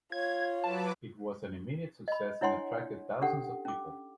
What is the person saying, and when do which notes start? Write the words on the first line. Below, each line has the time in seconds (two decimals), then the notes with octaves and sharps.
It was an immediate success and attracted thousands of people.
0.12 F4 C#5 G#6
0.64 F#3 B4 A5 D6
2.08 D#5 B5
2.41 D4 E4 C#5 F#5 G#5 C6
3.22 C#4 D4 G4 A4 F#5
3.65 C#4 D6